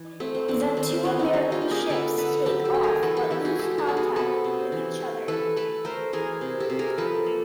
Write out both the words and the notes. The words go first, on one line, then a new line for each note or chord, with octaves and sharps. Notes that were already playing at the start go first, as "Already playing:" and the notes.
The two American ships take off, but lose contact with each other.
Already playing: E3
A3 C4
C4
E3 C4 D4
C4
D#3 C4
C4
D#3 B3 C#4
C4 D4
G3 C#4 D#4
F4 G4
A#3
G#4 A#4
D3 A4 B4
D3 A4 B4
F#3 G4 A4
G4 A4
A3
G#4 A#4
E3 A4 B4
G4 A4
E3 G4 A4
F#4 G#4
G#3 G4 A4
F#4 G#4
B3 A4
F#4 G#4
C3 A4 B4
C3
E3
A3
E3 A4 B4
A3 A4 B4
A3 A#4 C5
E3 G#4 A#4
C3
G4 A4
C3
G#4 A#4
F3 A4 B4
A#3